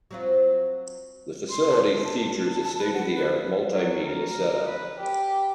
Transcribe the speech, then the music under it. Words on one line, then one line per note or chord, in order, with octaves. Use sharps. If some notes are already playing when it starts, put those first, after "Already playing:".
The facility features a state-of-the-art multi-media setup.
F#3 C4 F4
C6
A5
A5
B4
F#5
B4
F#3
A#4
B4
G4